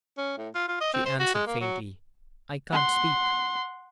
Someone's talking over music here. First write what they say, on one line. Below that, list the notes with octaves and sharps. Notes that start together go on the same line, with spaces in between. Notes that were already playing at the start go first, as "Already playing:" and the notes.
She answered faintly: "I can't speak!"
C#4
A2
F4
F4
D#5
C4
C5
F#4
G#3
A#3
F#3
F#5 C6